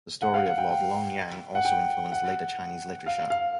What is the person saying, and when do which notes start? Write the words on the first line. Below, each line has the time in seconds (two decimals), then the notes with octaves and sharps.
The story of Lord Lonyang also influenced later Chinese literature.
0.22 F#5
0.34 F5
0.46 F#5
0.58 G5
0.70 G5
1.55 F#5
1.65 G5
2.12 F#5
3.06 F5
3.30 F5